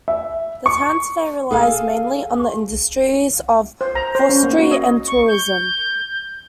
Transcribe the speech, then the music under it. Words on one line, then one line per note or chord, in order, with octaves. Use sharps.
The town today relies mainly on the industries of forestry and tourism.
E5
C#6
G#4 A4 F5 G#5
C5
A#5
C5
C#4
A#3
F#4
D#5
C#6
G6